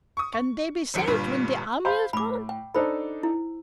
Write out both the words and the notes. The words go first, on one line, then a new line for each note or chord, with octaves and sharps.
Can they be saved when the army has gone?
C#6 D#6
C#6
D#1 G#1 F#2 C#7 D7
G1 G2 A#2 G3 B4
C5 F5 B5
A2 B5 D6
G5
D4 D#4 A4 C5 B5
E4